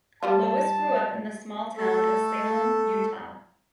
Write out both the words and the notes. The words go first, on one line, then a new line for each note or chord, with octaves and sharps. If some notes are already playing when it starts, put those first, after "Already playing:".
Lois grew up in the small town of Salem, Utah.
F3 G3 F4 A5
A3 A4